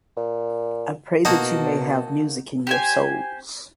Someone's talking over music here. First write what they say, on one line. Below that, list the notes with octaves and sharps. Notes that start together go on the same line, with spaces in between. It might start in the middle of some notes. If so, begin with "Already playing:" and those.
I pray that you may have music in your souls.
A#2
B2 A#3 D#4 F#4 A5
G4 C5 G#5